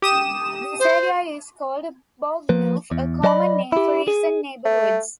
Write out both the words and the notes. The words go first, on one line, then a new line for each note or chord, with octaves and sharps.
This area is called Bourgneuf, a common name for recent neighbourhoods.
G4 D#6 E7
C5
F3 A#3 B4
E2
F#3 D5 D#5 A5 B5
E4 G4
G#4
A3